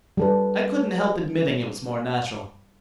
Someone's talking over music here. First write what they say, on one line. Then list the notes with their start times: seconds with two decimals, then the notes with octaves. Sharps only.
I couldn't help admitting it was more natural.
0.17 G3 A4 B4